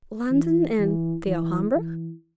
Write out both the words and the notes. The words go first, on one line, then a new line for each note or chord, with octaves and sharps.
'London and the Alhambra!'
E3
E3
E3
E3